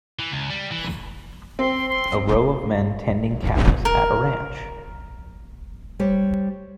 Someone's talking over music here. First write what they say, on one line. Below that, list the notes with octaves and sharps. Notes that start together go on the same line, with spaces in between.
A row of men tending cows at a ranch.
E3
C#2
G3
E3
C4 C6
C6
A#4
G3 G4 C5 C#5